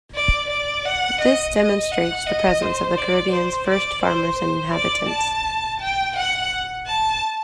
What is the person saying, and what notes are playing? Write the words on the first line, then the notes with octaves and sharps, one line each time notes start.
This demonstrates the presence of the Caribbean's first farmers and inhabitants.
D5
D5
F#5
D#5
D#5
F#5
D#5
C5
D5
C5
D5
C5
C5
D5
A5
G5
F#5
A5